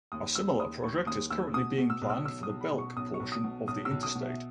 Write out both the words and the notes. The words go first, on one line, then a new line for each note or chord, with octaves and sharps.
A similar project is currently being planned for the Belk portion of the interstate.
D#2 D#6
D#2 E6
D#2 D#6
D#2 C#6
D#2 D#6
D#2 E6
B2 D#6
B2
E6
B1
E6
B1 E6
D#6
B1
B5
B2
C#6
B1 D#6
C#6
B1
D#6
B2
B1 D#6
E6
B1
D#6
B2
E5